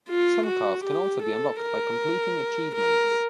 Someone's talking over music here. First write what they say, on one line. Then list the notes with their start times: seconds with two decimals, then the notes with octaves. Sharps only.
Some cars can also be unlocked by completing achievements.
0.09 F4
0.47 F#4
0.84 G4
1.23 A4
1.62 A#4
2.75 A#4